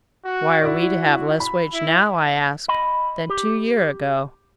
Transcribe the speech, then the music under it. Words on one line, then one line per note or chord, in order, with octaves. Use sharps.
Why are we to have less wage now, I ask, than two year ago?'
F#4
E4 F#4 D5
B5
E4
D#5 B5
G4